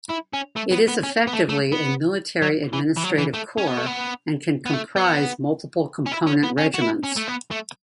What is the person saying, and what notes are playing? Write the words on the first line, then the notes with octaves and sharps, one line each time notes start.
It is effectively a military administrative corps, and can comprise multiple component regiments.
E4
C#4
A3
B3
B3
C#4
B3
A3
A3
B3
F#3
E3
E3
F#3
E3
A3
C#4
B3
A3
B3
B3
A3
B3
C#4
E4
C#4
B3
C#4
F#4
E4
C#4
A3
B3
A3